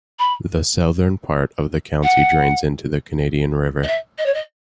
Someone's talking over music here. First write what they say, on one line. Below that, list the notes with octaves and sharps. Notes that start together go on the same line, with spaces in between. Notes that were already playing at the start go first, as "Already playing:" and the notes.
The southern part of the county drains into the Canadian River.
B5
F#5
D#5
E5
D#5
C#5
D#5